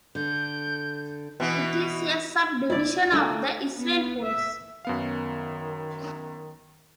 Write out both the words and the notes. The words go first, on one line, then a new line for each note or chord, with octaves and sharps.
It is a subdivision of the Israel Police.
D3 G6
B2 E3
E4 D5
D3 A3 A#3
B3
E5
F#2 D#3 B3 F5